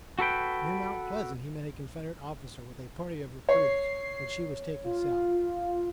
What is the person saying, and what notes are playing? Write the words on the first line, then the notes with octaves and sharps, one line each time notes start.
Near Mount Pleasant he met a Confederate officer with a party of recruits which he was taking south.
F#4 A4 B4 G5
C#5 C7
F4